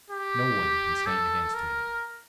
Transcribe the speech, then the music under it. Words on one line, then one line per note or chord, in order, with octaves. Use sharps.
No one can stand against me.
G4
A4
A#4